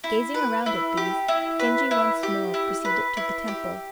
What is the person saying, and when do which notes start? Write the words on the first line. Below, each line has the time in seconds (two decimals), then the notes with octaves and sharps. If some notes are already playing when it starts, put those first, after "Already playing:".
Gazing around at these Genji once more proceeded to the temple.
0.04 E4
0.34 B4
0.66 E4
0.97 G4
1.28 E4
1.59 B4
1.91 E4
2.23 G4
2.54 E4
2.85 B4
3.17 E4
3.48 G4